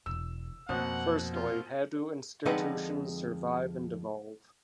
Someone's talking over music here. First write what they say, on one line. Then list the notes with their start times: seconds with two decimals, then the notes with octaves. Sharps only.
Firstly, how do institutions survive and evolve?
0.06 E1 E6
0.69 F2 B2 A#3 C4 F#5
1.33 F4
2.46 F2 D3 G#3 D#4 B4 F#5